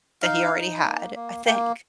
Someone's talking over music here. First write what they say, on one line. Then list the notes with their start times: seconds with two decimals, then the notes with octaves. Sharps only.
that he already had, I think.
0.22 D#4 F5
0.53 D#4
0.84 A#3
1.15 A#3
1.46 A#3 G5